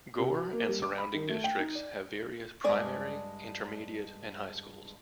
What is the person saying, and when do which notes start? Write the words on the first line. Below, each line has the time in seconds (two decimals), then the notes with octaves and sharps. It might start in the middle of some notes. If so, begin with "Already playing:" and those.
Gore and surrounding districts have various primary, intermediate and high schools.
0.19 C3
0.34 F#4
0.53 A#3
0.69 G3
0.82 D6
0.98 B5
1.14 D#3
1.29 A3
1.44 G5
1.59 D#4
1.75 D5
2.64 G2 G#3 G#4 D5 G#5